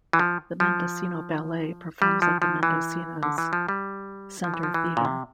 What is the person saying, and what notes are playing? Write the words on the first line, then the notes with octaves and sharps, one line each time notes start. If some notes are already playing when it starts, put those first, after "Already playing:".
The Mendocino Ballet performs at the Mendocino's center theater.
E3
F3
F3
G3
F3
F3
E3
D3
E3
F3
G3
F3
E3
F3
E3
A#2
C3